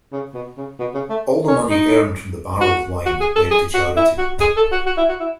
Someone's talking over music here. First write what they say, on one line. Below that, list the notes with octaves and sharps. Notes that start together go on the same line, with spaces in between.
All the money earned from the barrel of wine went to charity.
C#3
B2
C#3
B2
C#3
A3
C#4
D#4
F#4
F#4
G#4
A4
G#4
F#4
E4
F#4
G#4
A4
F#4
F#4
E4
F#4
E4